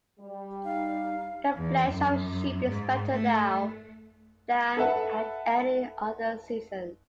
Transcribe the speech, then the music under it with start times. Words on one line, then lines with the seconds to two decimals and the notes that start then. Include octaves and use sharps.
The flesh of sheep is better now than at any other season.
0.20 G3
0.64 D#4 F5
1.56 E2
1.88 F#2
2.65 G#2
3.11 A3
4.77 A4 B4 E5 F#5 A5